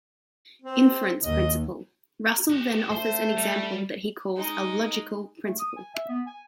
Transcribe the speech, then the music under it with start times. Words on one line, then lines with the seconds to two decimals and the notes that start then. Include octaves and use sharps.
Inference principle: Russell then offers an example that he calls a "logical" principle.
0.62 C4
1.22 D#2 D#5
2.50 F#4 G4
2.91 A3 C5
3.36 G3
4.36 G#3 D#4
5.44 A3
5.60 D#6
5.76 G#5
5.95 E5
6.09 B3
6.26 G#5